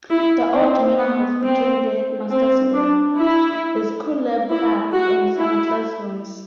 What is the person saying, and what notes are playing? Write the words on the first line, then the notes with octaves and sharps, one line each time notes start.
The old Manor House became the headmaster's room, the school library and some classrooms.
E4
C4
B3
C4
C4
D4
E4
E4
F#4
E4